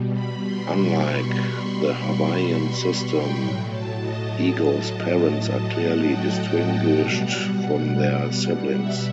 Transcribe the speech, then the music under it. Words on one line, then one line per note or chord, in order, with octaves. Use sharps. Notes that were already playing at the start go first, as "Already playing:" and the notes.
Unlike the Hawaiian system, Ego's parents are clearly distinguished from their siblings.
Already playing: B2 G3
B5
C6
C#6
C6
C#6
C6
B5
C6
C6
C#6
G5
A2 F#3 G5
A5
D#5
F#5
G5
B2 G3 F#5
F#5
E5